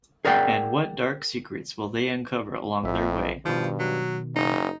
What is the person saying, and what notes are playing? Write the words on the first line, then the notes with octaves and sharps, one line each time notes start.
And what dark secrets will they uncover along their way?
G#4 A#4 D5 F#5 G5
A#1 F2 E5
G2 B2 D#3 F3
F#3
F#1 D#4